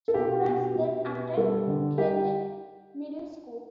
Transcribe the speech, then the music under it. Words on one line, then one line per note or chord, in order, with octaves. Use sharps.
Students then attend Kelly Middle School.
A4
B2 G4
B2
B2
B3
G3 A4
D3
G3 G4